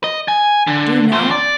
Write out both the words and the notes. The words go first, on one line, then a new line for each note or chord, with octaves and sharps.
Do you know?
D#5
G#5
D3
A#2 C5
D5